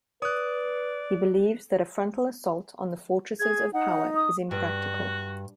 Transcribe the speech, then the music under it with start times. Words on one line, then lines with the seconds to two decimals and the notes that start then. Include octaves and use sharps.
He believes that a frontal assault on the fortresses of power is impractical.
0.22 B4 D5 D#6 F#6
3.40 G#4 G#6
3.73 D#4 F#5
4.16 D#6
4.51 G2 F#4